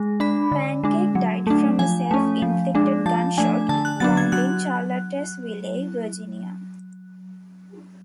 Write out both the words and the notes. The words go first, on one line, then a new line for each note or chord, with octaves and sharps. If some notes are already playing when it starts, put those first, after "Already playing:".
Pancake died from a self-inflicted gunshot wound in Charlottesville, Virginia.
Already playing: G#3
D4 B5
D3
G#3 D4
F#3
A3 D4
F3 G#5
A3 C#4
F3
G#3 D4
F3 A5
A3 D4 G#5
D3 A5
F#6
F#3 B3 D4 A6
G#6
F#3 F#6